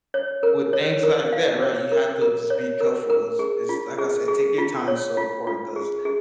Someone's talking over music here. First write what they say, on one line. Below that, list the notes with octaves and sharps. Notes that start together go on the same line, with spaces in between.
with things like that, right, you have to just be careful. It's it's like I said, taking your time is so important 'cause
C#5
A#4
C#5
A#4
F5
C#5
A#4
A#4
C#5
A#4
A#4
G#4
F4
G#4
G#4
F4
C#5
F4
F4
G#4
G#4